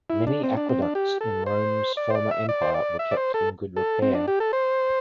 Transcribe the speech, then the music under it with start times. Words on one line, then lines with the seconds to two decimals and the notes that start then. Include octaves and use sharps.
Many aqueducts in Rome's former empire were kept in good repair.
0.10 E4
0.27 D4
0.44 C4
0.57 D4
0.69 C4
0.82 D4
0.95 G4
1.21 A4
1.46 C5
1.97 D5
2.10 C5
2.15 D5
2.31 E5
2.49 D5
2.62 C5
2.74 D5
2.99 E5
3.11 D5
3.17 C5
3.34 A4
3.76 A4
4.02 C4
4.15 D4
4.28 G4
4.40 A4
4.53 C5